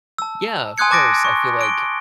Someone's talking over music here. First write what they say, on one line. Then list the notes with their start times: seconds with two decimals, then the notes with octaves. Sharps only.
Yeah, of course. I feel like
0.18 A5 E6
0.78 G#5 C6 D#6 F#6 G#6 C#7
0.91 A5 D6 A6 A#6 D7
1.25 C#6
1.61 D7 G7